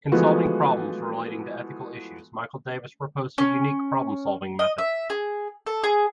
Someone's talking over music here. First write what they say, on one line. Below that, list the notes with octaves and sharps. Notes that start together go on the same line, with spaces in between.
In solving problems relating to ethical issues, Michael Davis proposed a unique problem-solving method.
E3 F3 G#3 A3 B3 F#4
C#4
D#5
E5
G#4
A4
G#4